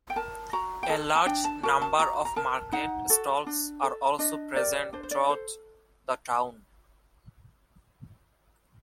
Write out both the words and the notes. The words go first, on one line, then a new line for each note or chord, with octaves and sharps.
A large number of market stalls are also present throughout the town.
G5
A#4 A5
F#4 A#5
G5
A4 A5
A5
D4 G5
A5
F#4 A#4 A5
A5
F#4 A#5
A#5
A#4 A5
D#4 F#5
F#4 A4
D4
A4
D4 D#5
G4 A#4 D5
D4 C5
C5
D5
A4 C5